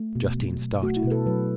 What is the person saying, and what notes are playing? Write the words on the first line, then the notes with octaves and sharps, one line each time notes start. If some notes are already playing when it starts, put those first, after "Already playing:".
Justine started.
Already playing: A3
B2
F#3
B2
A3 F#4
E4
B2 B4
A4
F#3 B4